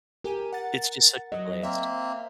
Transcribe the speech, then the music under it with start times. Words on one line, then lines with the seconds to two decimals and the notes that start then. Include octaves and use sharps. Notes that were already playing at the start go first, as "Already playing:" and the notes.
it's just such a blast.
0.24 G4 A#4 G#5 D#7
0.53 F#5 A6
1.32 F#3 D#5
1.63 A#3 C4 E5